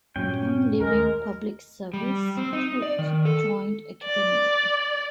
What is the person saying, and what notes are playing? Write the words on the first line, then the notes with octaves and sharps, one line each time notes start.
Upon leaving public service, Fuerth joined academia.
G2 A#2 F#3 C#4 G5
D#2 G#3 A#4
G3
C4
D#4
D5
D#3
A4
D5